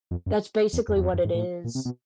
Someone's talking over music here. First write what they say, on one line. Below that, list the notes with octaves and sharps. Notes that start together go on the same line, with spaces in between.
That's basically what it is.
F2
F#2
E2
F2
E2
F2
F#2
G#2
A2
A#2
C3
B2